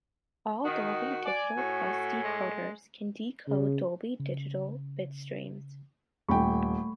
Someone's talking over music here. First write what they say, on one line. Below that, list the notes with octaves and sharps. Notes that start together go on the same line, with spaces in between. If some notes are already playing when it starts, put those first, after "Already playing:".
All Dolby Digital Plus decoders can decode Dolby Digital bitstreams.
D#3 F#4
D5 G#5
A2 F#4
G#3
C#3
C#3
D#1 A3 G5 B5 C#6